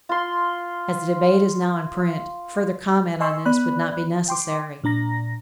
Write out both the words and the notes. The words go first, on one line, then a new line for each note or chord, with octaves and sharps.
As the debate is now in print, further comment on this would not be necessary.
F4 C6
D#5 G#5 C6 C#6 E6
B3 D5 B5 F#6
G5 C6 D6
A#2 D4 A#5 A#6